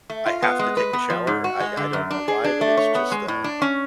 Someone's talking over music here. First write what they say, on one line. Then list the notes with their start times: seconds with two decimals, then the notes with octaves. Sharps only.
I have to take a shower. I I don't know why, but it's just, uh,
0.10 A3
0.26 F4
0.42 B3
0.59 G#3
0.77 B4
0.93 B3
1.10 F3
1.27 G#2
1.44 F#4
1.60 G#3
1.77 D3
1.93 F#2
2.11 D4
2.28 G#4
2.44 D4
2.61 A3
2.77 C#5
2.95 B3
3.12 G#3
3.28 A2
3.44 D4
3.62 C#4